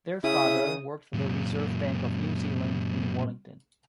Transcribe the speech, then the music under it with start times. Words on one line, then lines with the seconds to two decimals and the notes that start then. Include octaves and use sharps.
Their father worked for the Reserve Bank of New Zealand in Wellington.
0.24 C#3 E4 E5 D#6
1.14 F#2 A#2